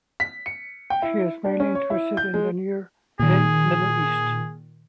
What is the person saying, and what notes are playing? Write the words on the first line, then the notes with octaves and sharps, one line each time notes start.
She is mainly interested in the near and Middle East.
B6
C#7
G5
E4
D4
C#4
C#5
E4
G6
G#3
A#2 D#3 G#4